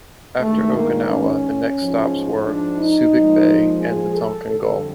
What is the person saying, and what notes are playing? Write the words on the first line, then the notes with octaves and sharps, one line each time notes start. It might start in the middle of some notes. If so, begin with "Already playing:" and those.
After Okinawa the next stops were, Subic Bay and the Tonkin Gulf.
G2 D#3 G#3 A3
A#3
C#4
G#2 F3 G#3
D4
D#4
A#2 F3 G#3
G#4
A4
F2 D3 G3 A4